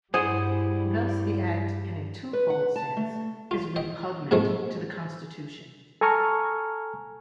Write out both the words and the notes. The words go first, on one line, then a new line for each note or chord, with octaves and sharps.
Thus the act in a two-fold sense is repugnant to the Constitution.
G2 G3 E4 G#4 C5 F#5
B4
F#5
A5
A3
F4
D#5 G5
G#2 C3 F3 G#3 A3
A4 G#5 A#5 C#6 F6